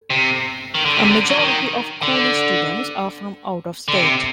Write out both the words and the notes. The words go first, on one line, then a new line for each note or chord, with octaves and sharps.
A majority of Cooley students are from out-of-state.
C3
D#3
D3
C3
D3
F#3
D#3
D3
D3
C3